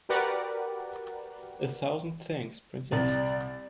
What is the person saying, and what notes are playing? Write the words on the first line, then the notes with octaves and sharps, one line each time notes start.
A thousand thanks, Princess.
F#4 G4 A#4 B4 D5 F#5
C2 D5